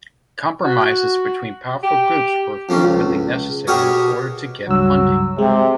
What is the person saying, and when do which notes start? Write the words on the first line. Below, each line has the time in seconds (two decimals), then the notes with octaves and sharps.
Compromises between powerful groups were frequently necessary in order to get funding.
0.64 F#4
1.82 G4
2.69 F2 A#3 C#4
2.84 C#2
3.67 B2 G4 G#4 A#4 C#5 D#5
4.67 C#2 G2 F#3 E6
5.39 C3 G#3